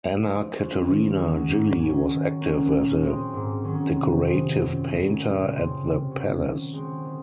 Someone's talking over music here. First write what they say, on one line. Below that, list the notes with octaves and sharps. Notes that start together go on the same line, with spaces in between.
Anna Caterina Gilli was active as a decorative painter at the palace.
F3
G#3 C#4 F4
D#3
G#3 C#4 F#4
G#2
F#3 C#4
D#3
A#3 C#4 F#4
A#2
G#3 C4
G#2
D#3 F#3 C#4
C3
F3 G#3 D#4
F#2
C#3 F#3 A#3
A#2
G#3 C4 F4
C3
F#3 C#4 F#4
D#3
G#3 C4 F#4
D#3